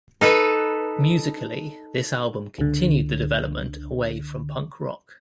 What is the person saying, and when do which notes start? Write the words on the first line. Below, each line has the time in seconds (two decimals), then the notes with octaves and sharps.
Musically this album continued the development away from punk rock.
0.21 D#4 A4 B4
2.58 C#2 D3